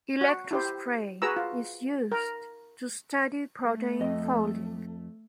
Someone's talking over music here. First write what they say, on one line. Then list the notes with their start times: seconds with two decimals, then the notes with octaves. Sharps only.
Electrospray is used to study protein folding.
0.21 F#4
0.51 E4 G4 C5
1.22 F#4 G#4 B4 A#5 E6
1.36 F4
2.12 A#4
3.67 A3
4.00 F2 D#5